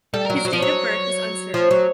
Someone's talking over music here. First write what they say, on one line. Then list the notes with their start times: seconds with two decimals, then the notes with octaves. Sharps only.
His date of birth is uncertain.
0.14 G3 A4
0.25 A#4
0.30 F#3
0.36 A#4
0.45 F#3
0.48 F3 C5
0.61 F#3 C#5
1.54 F3
1.71 F#3